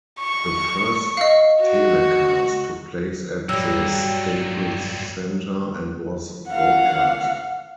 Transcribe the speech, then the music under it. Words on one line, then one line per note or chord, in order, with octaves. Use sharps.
The first telecast took place at the Staples Center and was broadcast.
C#6
D#5 F5
F#4
G2 F#3 G3 A#3 G5 E6
F5 F#5